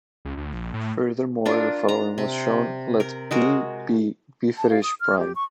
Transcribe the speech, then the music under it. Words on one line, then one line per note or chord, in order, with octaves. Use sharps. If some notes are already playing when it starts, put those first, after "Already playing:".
Furthermore, the following was shown: Let "p" be a Wieferich prime.
C#2
D2
A#1
A2
D4 F4 A#4
A#5
C3
A#4
G#3 F#4 A#4
A5
F5
D#6
F6
G4
C#6